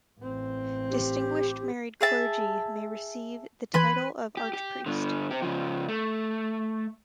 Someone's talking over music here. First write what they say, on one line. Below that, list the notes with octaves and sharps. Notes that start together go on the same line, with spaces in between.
Distinguished married clergy may receive the title of archpriest.
A1 C4
G4
G#4 E5 A5
E3 B4 C6 G#6
G4
G4
G2 D3
C4 G4
C#3 F3
A3